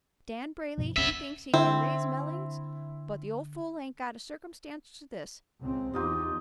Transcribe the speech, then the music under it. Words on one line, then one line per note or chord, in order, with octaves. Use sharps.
Dan Brayley he thinks he kin raise mellings, but the ol' fool ain't got a circumstance to this.
G2 B2 F3
F#1 C#2 B3 C#4 E5
D3 C4 E4
C#2 C4
E2 D#4 F4 G4 D#5